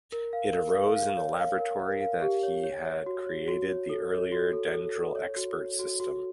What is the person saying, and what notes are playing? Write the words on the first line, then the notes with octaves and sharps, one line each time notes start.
It arose in the laboratory that had created the earlier Dendral expert system.
A#4
F5
A#4
F5
F5
C#5
F5
A#4
A#4
F5
G4
C#5
C#5
C#5
F#4
C#5
F#4
C#5
A4
C#5
F#4
A4
A4
A4
C#5
F#4
C#5
F#4
F#4